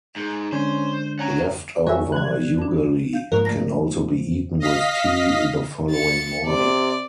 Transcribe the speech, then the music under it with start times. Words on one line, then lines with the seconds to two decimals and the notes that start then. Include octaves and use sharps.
Left over ugali can also be eaten with tea the following morning.
0.16 G#2
0.52 D3 G#3 C#4 D4 C5
1.19 C#4 F#5 A#5
1.87 E3 G3 F#4 A#4 C#5 E5 G#5
2.12 F3 F#6 G#6
2.58 D4 A5
3.13 F5 G6
3.32 G#2 F3 A#3 A#4 C#6 F#6
3.45 D3 A3 A#6
4.60 D#5 F5 B6
5.91 A6 C#7
6.46 C3 D5